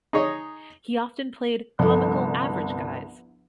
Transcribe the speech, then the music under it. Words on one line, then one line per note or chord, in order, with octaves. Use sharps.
He often played comical "Average Guys".
D#4 G#4 C#5 D#5
G1 C2 F3 A4